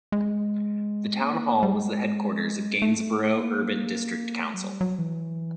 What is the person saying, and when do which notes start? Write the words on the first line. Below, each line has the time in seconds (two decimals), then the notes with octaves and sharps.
The town hall was the headquarters of Gainsborough Urban District Council.
0.12 G#3
1.20 A#3
1.63 G3
1.74 G#3
2.82 A3
3.36 A#3
4.44 A3
4.54 F#3
4.63 G3
4.81 F#3
4.99 E3